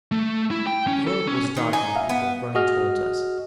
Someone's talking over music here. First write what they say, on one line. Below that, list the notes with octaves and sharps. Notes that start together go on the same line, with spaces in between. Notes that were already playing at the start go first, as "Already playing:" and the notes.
The road was dotted with people running towards us.
A3
E4
G5
C#4
A4
C#4
D#3
D#4 G#5
E5 F5
B3
F#4 G#4 D#5 F6